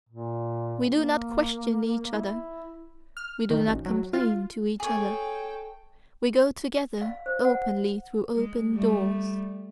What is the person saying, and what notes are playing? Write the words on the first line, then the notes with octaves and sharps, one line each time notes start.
We do not question each other, we do not complain to each other; we go together openly through open doors.
A#2
A#3
E4
F6
D#3
A1
F#3
F4
G#4 A4 C#5 G5
F5
C5
F#5
G#3
G3 A3